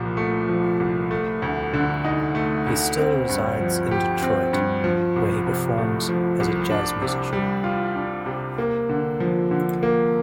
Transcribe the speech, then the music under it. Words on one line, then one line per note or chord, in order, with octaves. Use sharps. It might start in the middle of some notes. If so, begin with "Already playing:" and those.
He still resides in Detroit, where he performs as a jazz musician.
Already playing: C2 A#2 F3
A3
F3
C2
A3
D2
D3
D#4
A3
D2
C4
G2
F3
G4
C4
G2
F3
C2
C3
A3
F3
C2
D4
C3
G3
F4
D4
C3
A#3
D3
F3
D3
A#3